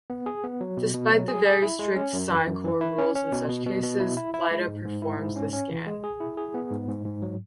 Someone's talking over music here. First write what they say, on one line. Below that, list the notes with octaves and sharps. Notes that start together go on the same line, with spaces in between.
Despite the very strict Psi Corps rules in such cases, Lyta performed the scan.
B3
G#4
B3
F#3
B2
B2
F#3
G#4
G#4
E4
G#3
C#4
F#2
E3
F#2
E3
E4
C#4
C#4
B2
B2
B2
B2
E4
E4
E4
G#3
G#2
G#2
E4
G#2
C#4
C#4
E3
G#3
G#4
E4
G#4
B3
G#2
G#2
G#2
F#3